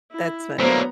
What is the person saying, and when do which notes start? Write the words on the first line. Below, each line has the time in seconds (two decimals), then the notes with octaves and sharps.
That's funny.
0.12 E4
0.59 A2 F#3 A#3 B3 D4 C5 A#5